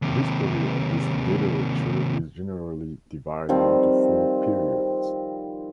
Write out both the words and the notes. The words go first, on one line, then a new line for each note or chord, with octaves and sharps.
The history of this literature is generally divided into four periods.
D#2 C3
D#3 F3 G3 C4